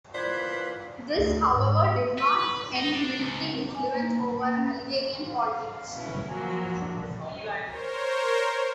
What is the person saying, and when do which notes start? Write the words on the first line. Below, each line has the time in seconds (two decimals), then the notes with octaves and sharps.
This, however, did not end military influence over Algerian politics.
0.14 E3 A#3 F4 B4 C5 D5 G6 G#6
1.16 D2
1.53 G#2
2.18 B4
2.75 D#4
2.93 D4
3.18 C#2
3.75 G#5
3.94 A#3
4.19 A5
4.41 A#3
4.57 C#4
5.29 F5
5.92 B2 C#4 E4
6.29 F3 F#3 A#3 G#5
6.79 D4
7.63 A#4 C5 C#5